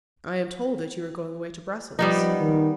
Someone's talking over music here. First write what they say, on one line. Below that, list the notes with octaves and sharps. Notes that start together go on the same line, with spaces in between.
"I am told that you are going away to Brussels."
F3 G3 B3 D#4
D#3